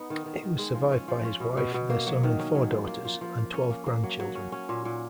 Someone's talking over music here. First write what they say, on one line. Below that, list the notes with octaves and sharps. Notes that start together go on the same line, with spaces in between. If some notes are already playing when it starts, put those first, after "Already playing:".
He was survived by his wife, their son and four daughters, and twelve grandchildren.
Already playing: B3 D#4
D#3
D#3
D#3
G#3
F3
C#4
F3
C#4
B2
B2
B2
A#3
F#3
D#3
C#4
F#3
F3
A#3
F3
F3
A#3
C#4
A#3
A#3
F#3
F#3
C#4
C#4
A#2
A#2